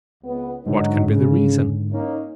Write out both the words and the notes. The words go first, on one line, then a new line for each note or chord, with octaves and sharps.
What can be the reason?
C#2 B3
G#2 D3 F#3 D#4
C#3
A#3 C#4 D#4